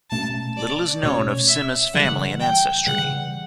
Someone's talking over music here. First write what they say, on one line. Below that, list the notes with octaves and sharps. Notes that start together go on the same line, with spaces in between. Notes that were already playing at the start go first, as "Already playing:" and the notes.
Little is known of Sima's family and ancestry.
B2 A3 C#4 A5
D5
B2 A3 C#4 C#5
E5
C#3 E3 G3 F#5
G5
C#3 E3 G3 F#5